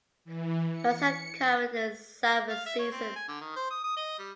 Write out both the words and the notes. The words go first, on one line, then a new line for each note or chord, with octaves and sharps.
Floods are common in the summer season.
E3
C#7
F5
E5
C#5
C4
G#5
D3
D#3
C5
D#6
D#6
D#5
G3